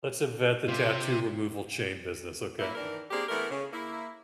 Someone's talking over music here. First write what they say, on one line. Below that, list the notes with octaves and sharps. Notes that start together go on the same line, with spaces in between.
let's invent the tattoo removal chain business. Okay?
C3 C4 F4
A#3 E4
D#3 E3 D4 A#4
A#3 C4 D4 G4 G#4
E3 A3 B3 A#4
C#3
A#3 E4